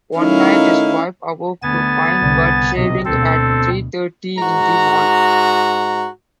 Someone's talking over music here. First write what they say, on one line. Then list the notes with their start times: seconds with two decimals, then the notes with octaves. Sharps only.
One night, his wife awoke to find Budd shaving at three-thirty in the morning.
0.17 D#3 A3 C#4 D#4 E4 F5
1.62 D2 A3 B3 G#5 A6
2.19 C2 D3
2.76 B1 C3 D#5
3.05 D2 B2 C4 A4
4.38 G#2 F#4 A#5